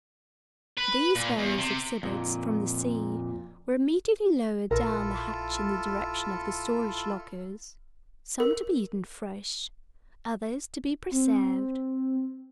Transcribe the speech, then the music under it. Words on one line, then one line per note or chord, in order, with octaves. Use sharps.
These various exhibits from the sea were immediately lowered down the hatch in the direction of the storage lockers, some to be eaten fresh, others to be preserved.
B4
A#2
E2
C3
F2 A#2
A#1 E4 F4 A4 A#4
A#4
C4